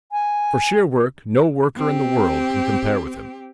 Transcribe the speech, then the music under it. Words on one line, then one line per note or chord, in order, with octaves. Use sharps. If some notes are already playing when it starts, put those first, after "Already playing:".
For sheer work no worker in the world can compare with him.
G#5
C4 G4